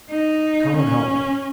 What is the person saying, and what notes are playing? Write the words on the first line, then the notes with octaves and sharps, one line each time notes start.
"Come and help me."
D#4
C#4